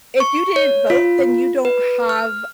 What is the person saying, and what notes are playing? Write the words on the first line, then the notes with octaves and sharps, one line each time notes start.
If you didn't vote, then you don't have"
C#6
C#5
F4
B4
F6